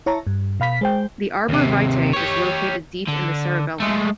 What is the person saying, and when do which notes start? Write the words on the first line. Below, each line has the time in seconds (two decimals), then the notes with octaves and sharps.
The arbor vitae is located deep in the cerebellum.
0.06 E4 C#5 A5 A#5
0.27 G2
0.60 B2 F5 B5 B6
0.81 G#3 C5 G5
1.49 D#2 C3
2.14 G4 C#5
3.08 D3
3.80 G#3 A3